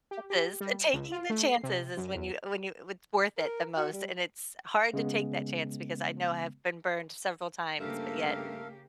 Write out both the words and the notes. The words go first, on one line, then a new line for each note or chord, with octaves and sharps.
chances taking the chances is when you when you it's worth it the most and it's hard to take that chance because I know I have been burned several times, but yet,
G4
G4
G3
E7
C#2
F4
A3
C7
C3
F#2
E2
A#4
F#4
G3
C#3 G#3 B3
G2 C#3 A3 A#3 G4 A4 A#4 F5